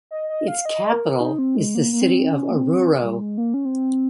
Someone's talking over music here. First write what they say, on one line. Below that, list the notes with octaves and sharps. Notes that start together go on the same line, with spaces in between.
Its capital is the city of Oruro.
D#5
D#5
F5
D#5
A#4
D#4
C4
G#3
A#3
A#3
C4
C#4
A#3
C4
G3
G#3
A#3
C#4
C4